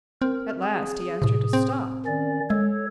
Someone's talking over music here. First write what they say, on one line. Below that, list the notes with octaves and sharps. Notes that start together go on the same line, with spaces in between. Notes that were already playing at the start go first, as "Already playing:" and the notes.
At last he asked her to stop.
C4 A#4
G#4
A2 C3
C4
D#3 C#4 D5
G#3 A4 C#5